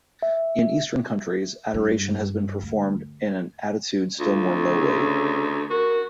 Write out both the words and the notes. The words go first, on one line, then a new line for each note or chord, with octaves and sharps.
In Eastern countries, adoration has been performed in an attitude still more lowly.
E5
G2
D2
D2 F4
C#3
F#4 A#4